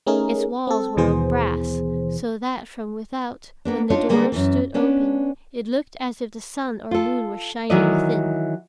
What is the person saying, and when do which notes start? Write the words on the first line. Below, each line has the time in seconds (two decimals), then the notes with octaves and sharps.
Its walls were of brass, so that from without, when the doors stood open, it looked as if the sun or moon were shining within.
0.07 A3 C#4 D#4 G#4 A#4
0.67 C4 A4
0.97 D#2 B2 E3 B3 G#4 C5
3.65 A#3 B3 D4
3.90 D4 D#4 F4 C#5
4.09 D3 G3 G#3 A#3 B3
4.32 F#2 E3
4.74 B3 C#4 D4
6.91 F4 A4
7.70 D#3 E3 F#3 E4 D5 D#5